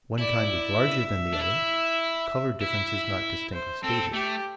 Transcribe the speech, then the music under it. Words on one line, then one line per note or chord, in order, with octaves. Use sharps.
One kind was larger than the other: color-differences not distinctly stated.
E4 D5
E5
D4
E4
E4 E5
C5
C4 A4
A3 G4